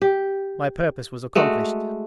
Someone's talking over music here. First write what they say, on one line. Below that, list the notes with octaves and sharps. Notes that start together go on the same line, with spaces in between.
My purpose was accomplished.
G4
G#3 A3 F#4